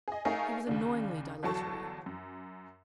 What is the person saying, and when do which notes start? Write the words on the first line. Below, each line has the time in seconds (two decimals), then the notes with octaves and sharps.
He was annoyingly dilatory.
0.08 G#4 D#5
0.25 A3 D#4 G#4 A#4 C#5 F5
0.67 D#2 C#3 D4
1.43 G1 E2 F#3 A4 A5 C#6
2.06 F#2